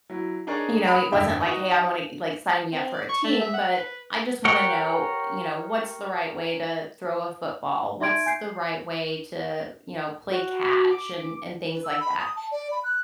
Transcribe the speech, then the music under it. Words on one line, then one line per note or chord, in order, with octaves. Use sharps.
you know, it wasn't like, "Hey, I wanna e" like, "Sign me up for a team," but "I just wanna know," you know, "what's the right way to throw a football? What's the right way to, you know, play catch" and and things like that?
F#3 E4
D4 D#4 G#4 A#4 C#5 D5
B5 D#6 D7
F1 G2 D#3 E5 G5
D#4 F#4
C4
D5
C#6
A3
E5
F#5
B4
G4 A#4 C#5 F#5 G5
D#4 E5 C6 G#6 D7
G#5 G6 C7
F#4
D6
B4
E6
B5
D#6
A5
D5
B5
F#6